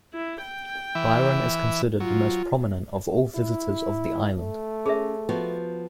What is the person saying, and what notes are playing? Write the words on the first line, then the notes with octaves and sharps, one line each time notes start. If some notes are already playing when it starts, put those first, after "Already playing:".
Byron is considered the most prominent of all visitors of the island.
E4
G5
E3 E5
F#3 F4
E4
A3
C#4 G#4 A#4 E5
F3 B3 F#4